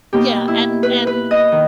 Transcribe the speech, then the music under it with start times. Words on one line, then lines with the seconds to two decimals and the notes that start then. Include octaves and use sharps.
Yeah, and and,
0.13 B2 A#3 D#4 G4
0.48 E4
0.83 B4
1.07 B4
1.31 D#5
1.52 D#3